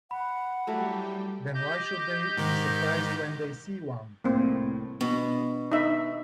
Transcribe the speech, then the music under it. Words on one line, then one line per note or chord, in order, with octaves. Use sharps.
Then why should they be surprised when they see one?
F#5 B5
F#3 G3 A3 E4 G4
G4 D#5 G6
G#2 D#3
C2 A2 A#3 C4
B2 B3 D4
D#4 E5